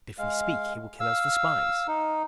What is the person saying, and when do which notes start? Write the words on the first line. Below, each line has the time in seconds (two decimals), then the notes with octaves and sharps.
But if we speak, he will kill us for spies.
0.18 G#3 F5
1.00 F5 E6
1.88 D#4